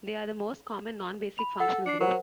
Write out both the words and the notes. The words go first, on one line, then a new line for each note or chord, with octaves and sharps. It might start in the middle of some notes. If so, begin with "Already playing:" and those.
They are the most common non-basic functional group.
B5 F7
A4 F#5
D4 C7 C#7
F#3 A#4 C5 F#5